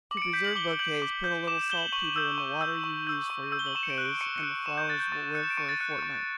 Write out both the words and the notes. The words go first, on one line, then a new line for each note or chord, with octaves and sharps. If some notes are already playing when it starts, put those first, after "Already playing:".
To preserve bouquets, put a little saltpetre in the water you use for your bouquets, and the flowers will live for a fortnight.
D6 F#7
C#7
D7
G6 B6
F#7
D6 G7
G6 F#7
D6
G6
D6 E7
E7
G6 G7
F#7
C#6 F#7
E6 G6
C#6
E6 G6
C#6
E6 G6
C#6
E6 G6
G7
F#7
C#6 E7
C#7
D7
F#6
D7
C#6 C#7
C#7
F#6 D7
C#6 E7
G6
F#6 A6
G6
C#6 A6
F#6 C#7
E7
D7
C#6 C#7
A6
F#6 C#7
C#7
C#6